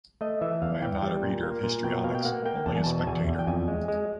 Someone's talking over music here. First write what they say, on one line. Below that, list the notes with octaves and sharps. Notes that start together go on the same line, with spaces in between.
I am not a reader of histrionics, only a spectator.
A3 D#5
E3 E5
E2 F5
E3 G5
G3
A#2
A#3
A#2
B2 G5
B2 F5
G5
A#3 F#5
A#3 G5
E2 A5
G#5
B2 A5
A5
E2 G#5
E2
G5
F2 G#5
G#3
G#3